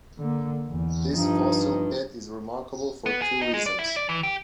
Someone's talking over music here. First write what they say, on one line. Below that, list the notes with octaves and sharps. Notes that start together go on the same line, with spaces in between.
This fossil bed is remarkable for two reasons.
D3 A#3
E2
G2 F3 D#4
B3
G#4
D#4
G#3
D5
E4
D5
E3
G4